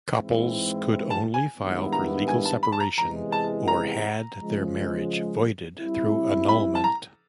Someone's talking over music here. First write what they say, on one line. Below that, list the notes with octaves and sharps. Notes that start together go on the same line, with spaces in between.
Couples could only file for legal separation or had their marriage voided through annulment.
G#2 E3 G#3 C4 E4
A5
G#5
G2 D#3 G#3 B3 E4
A#5
G#5
A5
B5
A5
A#5
E2 C3 E3 G#3 A#5
A5
A#5
C#3 F3 G#3
G3 C4 E4
B5
A5
A#5